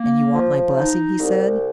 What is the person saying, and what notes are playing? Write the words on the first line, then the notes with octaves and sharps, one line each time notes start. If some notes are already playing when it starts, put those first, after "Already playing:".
"And you want my blessing?" he said.
Already playing: A#3
F3
D#4
C2